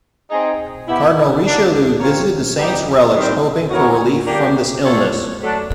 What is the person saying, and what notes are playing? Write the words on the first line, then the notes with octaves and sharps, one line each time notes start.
Cardinal Richelieu visited the saint's relics hoping for relief from this illness.
C4 D#4 G#4
B3 E4 G4
D3 G3 A#3 D4
C4 F4 A#4 C#5
B2 G3 B3 D#4 G4
D#3 G3 C4
B3 D#4 F#4 A#4 C#5
D3 G3 A#3 D4 G4
A3 D4 F4 A4 C#5
F#3 A3 D4